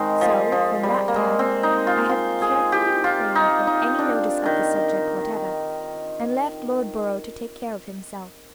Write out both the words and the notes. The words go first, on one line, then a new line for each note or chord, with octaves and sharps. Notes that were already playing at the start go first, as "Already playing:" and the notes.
So, from that time, I have carefully refrained from any notice of the subject whatever, and left Lord Lowborough to take care of himself.
Already playing: D#3 G#3 C4
F3
F3
G3
A#3
G#3
C4
D#4
F4
F4
G#4
G4
F4
D#4
D#4
D4
D#3